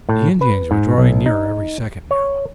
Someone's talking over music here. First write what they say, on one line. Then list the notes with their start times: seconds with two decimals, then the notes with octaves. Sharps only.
The Indians were drawing nearer every second now.
0.09 A2
0.41 B4
0.71 G#2
0.98 B1
1.26 D#4
2.11 C#5